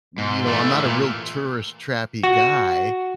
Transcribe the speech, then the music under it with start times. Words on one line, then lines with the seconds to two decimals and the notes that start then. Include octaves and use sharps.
you know, I'm not a real tourist trappy guy
0.18 G#2
0.46 E3 A3
0.84 A#2
2.23 F#4